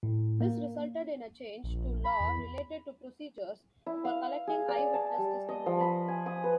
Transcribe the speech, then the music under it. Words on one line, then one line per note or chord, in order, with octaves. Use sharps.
This resulted in a change to law related to procedures for collecting eyewitness testimony.
A2
A#3
A#1
B5
E2
E4
F5
G#4
D5
A5
G3
D#5
F3
B5
G#5
D#6
B4